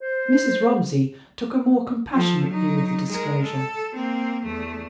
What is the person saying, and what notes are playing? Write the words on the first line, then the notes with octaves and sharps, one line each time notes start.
Mrs. Romsey took a more compassionate view of the disclosure.
C5
F3 A4
F#3 D#4
G#3 A#4
A4
A#3 C4
E2 A3